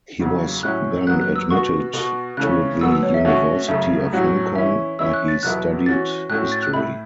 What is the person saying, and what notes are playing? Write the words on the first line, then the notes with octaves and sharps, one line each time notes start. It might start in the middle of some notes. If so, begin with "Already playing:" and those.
He was then admitted to The University of Hong Kong, where he studied history.
E2 C#3 F#3
A2 F#3 C#4 E4 F#6
F#2 F#3 B3 F#6
F#6
E6
B2 B3 F#4 C#6
B2 B3 F#4
C#3 E3 A3 C#4 F#6
B2 F#3 B3 E6
E6
C#5
E5
B2 A3 C#4 F#4 E5
F#2 C#3 A3 E5
A2 F#3 C#4 F#4
E3 C#4 E4 E5
E3 C#4 E4 E6
F#6
A6
E2 B2 F#3 B3 E4 F#6
E3 C#4 F#4 A6
A2 A3 C#4 F#4 F#6
A6
F#6
A2 A3 E4 B5